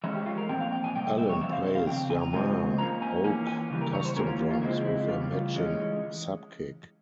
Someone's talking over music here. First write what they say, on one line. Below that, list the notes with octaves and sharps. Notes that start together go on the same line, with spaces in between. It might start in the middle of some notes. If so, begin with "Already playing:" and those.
Allen plays Yamaha Oak Custom drums with a matching subkick.
F3 G#3 C#4 E5
G4
F4
A#4
A#2 F3 C4 G5
F5
G5
G#5
C3 G3 G5
E5
C#5
C3 F3 E5
F5
F5
C#3 F3 C4 G5
G#5
A#5
C#3 F3 G#3 C4 G#5
F3 A#3 C#4 A#5
G#5
E3 A#3 C#4 G#5
G#5
C#3 E3 G3
A#4
C#5
C5
E3 A#3 C#4 A#4
F4
F4
F4
C#3 F3 G#3 C4 E4
E4
C#3 G3 C#4 F4
F4
E3 G#3 C#4